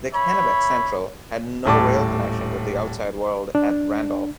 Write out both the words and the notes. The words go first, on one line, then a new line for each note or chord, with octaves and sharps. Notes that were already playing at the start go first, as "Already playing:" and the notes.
The Kennebec Central had no rail connection with the outside world at Randolph.
C#5 E5 B5
D#1 A2 A5 D6
D4